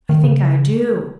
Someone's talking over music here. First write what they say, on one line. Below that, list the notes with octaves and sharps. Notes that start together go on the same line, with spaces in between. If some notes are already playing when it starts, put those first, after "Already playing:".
"I think I do."
D#3
C#3